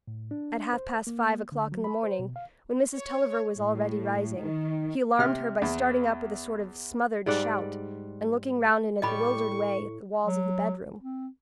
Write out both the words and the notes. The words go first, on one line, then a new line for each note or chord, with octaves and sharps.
At half-past five o'clock in the morning, when Mrs. Tulliver was already rising, he alarmed her by starting up with a sort of smothered shout, and looking round in a bewildered way at the walls of the bedroom.
A2
D4
C5
A#3
D3
F#3
B5
C5
B2
F5
C#5
A2
D#3
C3 F6
E2
G#2 G3 D5 F#5
A2 G3 G4 D5 D#5 B5 C#6
F#3
C4